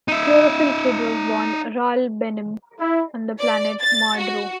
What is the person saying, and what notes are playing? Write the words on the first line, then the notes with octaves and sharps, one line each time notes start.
Chlorophyll Kid was born Ral Benem on the planet Mardru.
D#4 E5
E4
D5
A6
F#4